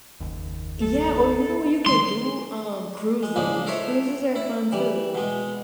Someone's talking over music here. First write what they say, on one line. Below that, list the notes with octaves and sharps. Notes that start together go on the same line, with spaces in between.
Yeah, or, you know what you could do? Um, cruises. Cruises are fun, too.
F#1 D#2
A4
D#3 G#3 C6
G#3
C#3 F3 G#3 A#3 D4 D#4
A4 A#4 C5 C#5 E5
E4
E3 G3
B2 G#3